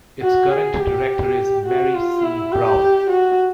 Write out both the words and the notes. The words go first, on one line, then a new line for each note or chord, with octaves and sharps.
Its current director is Mary C. Brown.
F#4
G#4
G4
F#4
F4
E4
G4
F#4